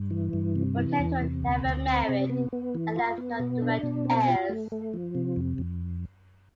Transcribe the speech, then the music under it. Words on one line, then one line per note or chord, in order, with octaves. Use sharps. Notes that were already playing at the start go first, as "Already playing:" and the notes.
Botetourt never married and left no direct heirs.
Already playing: G2
E3
G2
C3
E3
E2
C3
D2
D2
C4
C3
B3
B3
E3
F4
B3
B2
D4
B2
C4
F4
A3
A3
F3
C3
F2
F2